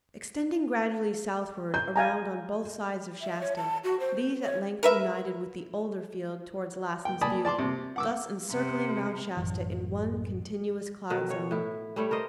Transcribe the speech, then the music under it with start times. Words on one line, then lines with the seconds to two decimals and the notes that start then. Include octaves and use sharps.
Extending gradually southward around on both sides of Shasta, these at length united with the older field towards Lassen's Butte, thus encircling Mount Shasta in one continuous cloud zone.
1.74 G6
1.96 F5 G#5 A#5
3.22 E5
3.41 C#5
3.57 A5
3.84 F#4
4.00 C5
4.41 C#5
4.83 A#4 B4 E5
7.05 G5
7.21 D5 G#5 A5 B5 D#6
7.45 D5 A5 C6 D6
7.59 C3
7.96 F#5 D6 E6
8.50 C3
9.37 A1 F#2 E3
11.10 B2 D#3 A4
11.30 C#5
11.51 A2 E4
11.96 G3 A3 E4 C#5
12.10 A4 A#4 C5 D#5